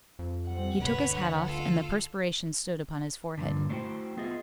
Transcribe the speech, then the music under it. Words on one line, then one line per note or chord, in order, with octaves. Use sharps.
He took his hat off, and the perspiration stood upon his forehead.
F2
G3 C4 F#5
D2 G2 C3 B4 C#5
D3
F4 A4
G2 A#2 D3
A3 D4 E4 F#4 C5 G5
B3 F4 G#4 D#5 E5